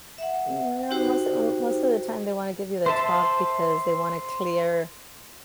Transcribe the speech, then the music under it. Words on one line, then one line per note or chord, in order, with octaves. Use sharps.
No, most of most of the time they wanna give you the talk because they wanna clear
E5 F#5
D#4 F#4 G4 C5 G5
C5 E5 A5